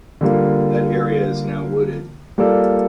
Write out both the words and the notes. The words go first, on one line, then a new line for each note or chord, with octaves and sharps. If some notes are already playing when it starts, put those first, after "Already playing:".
That area is now wooded.
D3 G3 A#3 F4
G3 A#3 F4 A4 D5